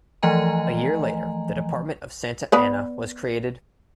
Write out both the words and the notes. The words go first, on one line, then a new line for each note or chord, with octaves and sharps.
A year later, the department of Santa Ana was created.
E3 F3 A3 D#5 G#5 A#5
B3 B4 D5